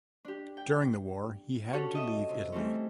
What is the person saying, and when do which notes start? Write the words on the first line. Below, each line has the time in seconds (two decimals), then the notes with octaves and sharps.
During the war, he had to leave Italy.
0.25 D4 G4
0.57 G5
1.73 C#4 D4 F#4 G4 A4 C#5
1.95 D#5 E5 D#6
2.29 C3
2.52 E3 G3 A3 C4 C#4